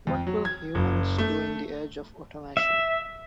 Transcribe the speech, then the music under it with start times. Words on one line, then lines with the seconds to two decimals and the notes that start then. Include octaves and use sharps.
What will humans do in the age of automation?
0.07 F2
0.27 F#3
0.45 G#6
0.75 F#1
1.18 A3
2.57 E5